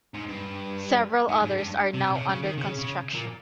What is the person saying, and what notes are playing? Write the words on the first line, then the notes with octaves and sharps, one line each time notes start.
Several others are now under construction.
G#2
G2
G#2
G#2
G2
C3
C#3
C#3
D#3
C#3
C#3
A#2